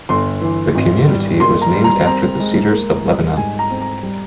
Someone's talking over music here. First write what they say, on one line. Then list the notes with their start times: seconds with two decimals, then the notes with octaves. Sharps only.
The community was named after the Cedars of Lebanon.
0.09 G1 C6
0.41 E3
0.75 G#1
1.07 G3
1.40 A#3 C6
1.62 A#5
1.74 G3
1.84 A#5
2.06 C4 A#5
2.39 G#3
2.71 A#3
3.04 G3
3.37 G#2 G#5
3.59 A#5
3.70 C4
3.81 A#5
4.03 G3